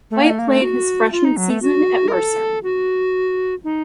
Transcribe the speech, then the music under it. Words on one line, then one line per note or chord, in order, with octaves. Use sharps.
Roy played his freshman season at Mercer.
A3
A#3
A3
A#3
A3
F#4
F4
D#4
F#3
A3
F#4
A#4
A4
F#4
D#4